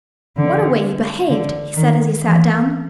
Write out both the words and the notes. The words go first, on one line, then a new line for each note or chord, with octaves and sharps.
"What a way you behaved!" he said, as he sat down.
D3
D3
D#3
E3